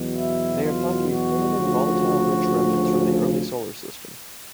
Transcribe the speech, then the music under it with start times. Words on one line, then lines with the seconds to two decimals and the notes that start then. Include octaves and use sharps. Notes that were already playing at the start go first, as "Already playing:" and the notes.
They are thought to be primitive, volatile-rich remnants from the early Solar System.
Already playing: E2 B2 F#3
0.17 E4
0.64 F4
1.12 F#4
1.59 D2 C#3 F3